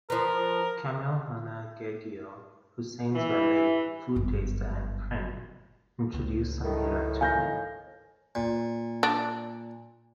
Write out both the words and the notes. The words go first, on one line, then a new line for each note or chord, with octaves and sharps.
Kamel Hana Gegeo, Hussein's valet, food taster and friend, introduced Samira to him.
F3 A#4 B4
E3
G1 F#2
C#2
A2 D#3
F5 G#5 G6 A#6
A#2
D4